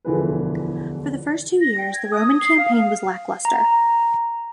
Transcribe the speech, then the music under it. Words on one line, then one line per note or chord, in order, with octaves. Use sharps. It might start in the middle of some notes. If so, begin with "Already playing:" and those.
For the first two years, the Roman campaign was lacklustre.
E1 D2 E3 F3 G#4 B4
A#6
G5
G#6
D#6
D#6
C7
F5
A#5